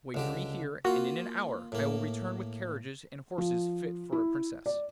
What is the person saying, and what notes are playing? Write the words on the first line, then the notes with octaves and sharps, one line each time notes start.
Wait for me here, and in an hour I will return with carriages and horses fit for a princess.'
C#2 D3 G4
A#3 F4 F#4
A2 A#3
F3
E4
D5